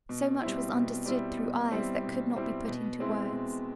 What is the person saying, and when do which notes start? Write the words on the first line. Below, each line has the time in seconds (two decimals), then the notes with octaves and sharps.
So much was understood through eyes that could not be put into words.
0.09 B2
0.42 G3 C4 E4
0.73 B2
1.06 G3 C4 E4
1.38 B2
1.71 G3 C4 E4
2.04 B2
2.36 G3 C4 E4
2.68 B2
3.00 G#3 C4 E4
3.32 B2